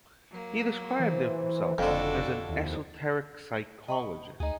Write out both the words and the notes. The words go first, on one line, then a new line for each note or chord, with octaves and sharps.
He described himself as an "esoteric psychologist".
F#3 A#3
E3 C5
F#1 F2 D3 D4 F#4 A4
D#2 F3 E4
D#5 B5 C#6
D2 D#4 G#4